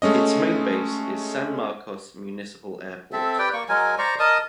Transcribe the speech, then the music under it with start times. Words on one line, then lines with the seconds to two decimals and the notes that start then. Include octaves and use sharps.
Its main base is San Marcos Municipal Airport.
0.02 G#3 A3 C#4 D#5
3.13 C4 A4 E5
3.38 G4 B4 D5 G5
3.53 A#3 C#6
3.69 F#3 G#3 A#4 G#5
3.98 C5 D5 A#5 C#6
4.19 A#4 D#5 A5 D#6